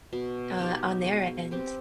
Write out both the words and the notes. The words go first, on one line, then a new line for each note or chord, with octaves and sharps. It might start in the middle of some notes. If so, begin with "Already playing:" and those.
uh, on their end,
B2
B3 D#4 G4
G#3
C4 G4 B4